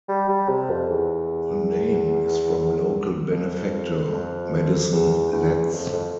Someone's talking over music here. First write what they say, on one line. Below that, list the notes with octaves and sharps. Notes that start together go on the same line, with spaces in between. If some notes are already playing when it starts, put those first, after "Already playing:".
The name is from local benefactor, Maddison Letts.
G3
G3
C3
F2
E2
F2
F2
E2
E2
F2
F2